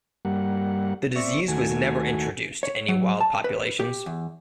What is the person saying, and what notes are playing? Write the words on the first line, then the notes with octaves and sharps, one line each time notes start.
The disease was never introduced to any wild populations.
G2 G3 A#3 F#5
C4 D5 E5 C#6
D#2 A3 F#4 G#5
C#5
F#3
A5
B4
G4
E2